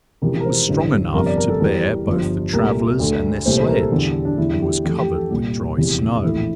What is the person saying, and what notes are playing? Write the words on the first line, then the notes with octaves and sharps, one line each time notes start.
It was strong enough to bear both the travellers and their sledge, and was covered with dry snow.
E1 E2 C3 F3 A#4
A#4
C5
A1 G2 D3
G1 F2 C3 A#4
D5
A#4
A4
E2 E3 G3 A#4
G1 G2 F3
C2 A#2 A3 A#4
D2 D3 A3
C2 A#2 A3 C5
C5
A#4
A4
E2 D3 G3
D4
E2 D3 G3 E4
G4
F2 E3 A3 G4
G4
A4
C2 A#2 G3 G4
F1 E2 E3 G3
A#1 A2 E3 A3 E4